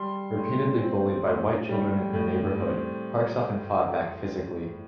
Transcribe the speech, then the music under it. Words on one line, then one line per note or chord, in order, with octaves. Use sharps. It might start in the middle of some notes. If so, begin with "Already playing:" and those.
Repeatedly bullied by white children in her neighborhood, Parks often fought back physically.
Already playing: G3 C6
A2
C4
A2
G3
A2
C4